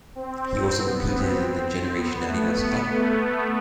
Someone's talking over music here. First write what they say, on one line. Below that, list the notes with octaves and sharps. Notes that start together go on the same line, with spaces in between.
He also competed in the Generation Adidas Cup.
C4
C4
B3
C4
B3
A3
B3
A3